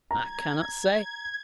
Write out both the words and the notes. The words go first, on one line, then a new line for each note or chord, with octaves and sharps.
'I cannot say.
A#5 G#6